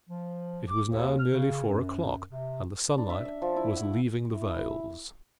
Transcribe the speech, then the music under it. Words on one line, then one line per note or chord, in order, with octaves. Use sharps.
It was now nearly four o'clock, and the sunlight was leaving the vales.
F3
D6
D#2
F6
C#3
F#2
C3
D4
E5
E5
F3
E4
F#5
E4